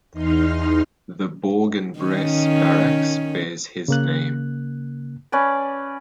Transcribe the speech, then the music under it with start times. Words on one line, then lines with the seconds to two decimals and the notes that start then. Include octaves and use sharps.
The Bourg-en-Bresse barracks bears his name.
0.13 E2 D#4 C6 F6
1.99 D#3 C#4
3.88 C#3 A#3 F#6
5.32 C#4 B4 D5